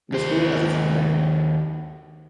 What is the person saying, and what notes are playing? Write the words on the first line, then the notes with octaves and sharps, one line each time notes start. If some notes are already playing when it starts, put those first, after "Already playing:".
The school has its own band.
D#2 C5